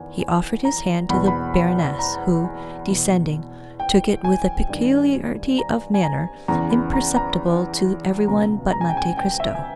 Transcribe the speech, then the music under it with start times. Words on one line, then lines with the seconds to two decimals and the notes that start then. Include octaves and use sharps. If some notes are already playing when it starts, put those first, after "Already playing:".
He offered his hand to the baroness, who, descending, took it with a peculiarity of manner imperceptible to every one but Monte Cristo.
Already playing: E2 D#3 G#5
0.20 G#5
0.65 A#5
1.09 E2 B2 B5
1.28 B5
1.54 B5
1.99 A#5
2.44 G#5
2.89 E2 B2
3.80 G5
4.24 G#5
4.69 G2 D#3
5.58 A#5
5.94 G#5
6.03 A#5
6.48 E2 C#3 E3 A#5
6.70 B5
6.93 A#5
7.16 A#5
8.28 C#2 B2 A#5
8.73 A#5
8.81 G#5
8.89 G5
8.97 G#5
9.17 G5
9.40 E5
9.55 G#5